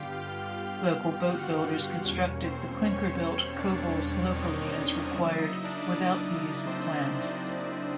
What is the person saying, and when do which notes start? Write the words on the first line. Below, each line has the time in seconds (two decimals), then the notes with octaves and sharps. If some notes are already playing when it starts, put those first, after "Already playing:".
Local boat-builders constructed the clinker-built cobles locally as required, without the use of plans.
Already playing: G2 D3 G3 B3 F4 G4 F5 G5
0.51 G4 G5
1.28 F#4 F#5
2.05 E2 B2 G3 A#3 C#4 C#5
2.44 C4 C5
2.82 C#4 C#5
3.59 D4 D5
3.97 D4 D5
4.36 D#4 D#5
5.13 C#3 F#3 A#3 E4 E5
5.38 D#4 D#5
5.64 D4 D5
5.90 D4 D5
6.67 C4 C5